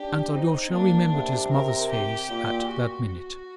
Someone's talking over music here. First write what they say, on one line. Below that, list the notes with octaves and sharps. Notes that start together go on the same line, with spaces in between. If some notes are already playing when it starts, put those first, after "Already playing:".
And Alyosha remembered his mother's face at that minute.
Already playing: D4 G4
C4 D#4
A#3 D4
C3
A#4
G4
A#2
F#4
F#4